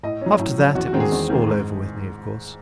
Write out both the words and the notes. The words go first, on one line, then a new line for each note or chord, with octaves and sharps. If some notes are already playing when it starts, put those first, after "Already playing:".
After that it was all over with me, of course.
A2 D#5
F#3 C#4
A2
F#3 C#4
E2 F#4
F#4
D#3 G#3 C4
G#4
E2
D#3 G#3 C4
G#2